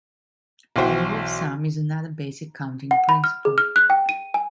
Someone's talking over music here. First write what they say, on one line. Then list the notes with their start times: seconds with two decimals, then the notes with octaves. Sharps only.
The rule of sum is another basic counting principle.
0.76 B1 E3 F#4 C5 G5
2.91 F#5
3.09 B5
3.24 F6
3.45 G#4
3.58 F6
3.76 F#6
3.90 G5
4.09 D#7
4.34 G#5